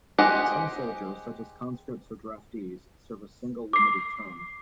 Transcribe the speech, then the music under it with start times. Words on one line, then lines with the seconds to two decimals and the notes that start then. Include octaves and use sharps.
Some soldiers, such as conscripts or draftees, serve a single limited term.
0.18 G4 G#4 C5 D#5 F#5
3.73 D6 C7